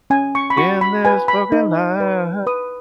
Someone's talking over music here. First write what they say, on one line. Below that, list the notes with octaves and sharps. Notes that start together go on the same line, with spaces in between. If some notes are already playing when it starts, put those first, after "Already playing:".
in this fucking life,
C#4 G#5
C#6
B5
F#4 C#6
B5
B4 G#5
B5
D#4
B4
B4 D#6